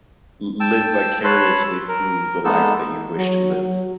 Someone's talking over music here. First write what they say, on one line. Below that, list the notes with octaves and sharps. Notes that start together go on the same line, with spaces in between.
l live vicariously through the life that you wish to live.
G5 A5 E6
B4 C#5 A5 C6 E6 F#6
A#4
G#3 A#3 B3 D#4 A4 E6
F#3
F#3